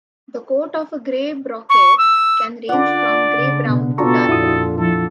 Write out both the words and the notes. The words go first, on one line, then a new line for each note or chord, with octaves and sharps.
The coat of a gray brocket can range from gray-brown to dark brown.
C#6
E6
D3 F4 D5 F#5 D6
C#3
B2 B3
B2 B3 D4 F4 F#4 A4 A#5 C#6
F2 A#2 E4 F#4 D#6
F3 E4 A4